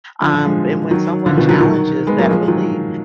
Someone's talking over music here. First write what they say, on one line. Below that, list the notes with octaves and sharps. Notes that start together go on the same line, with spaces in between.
Um, and when someone challenges that belief,
D3 F3
D3 F3
F3 G#3
D#3 F#3
D3 F3
B2 D#3
D#3 F#3
D#3 F#3
G#3 B3
F#3 A#3
F3 G#3
D#3 F#3